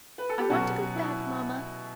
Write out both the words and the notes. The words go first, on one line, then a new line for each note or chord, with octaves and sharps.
I want to go back, mamma.
B4
A4
G4
B2 F#3 C#4 F#4
E4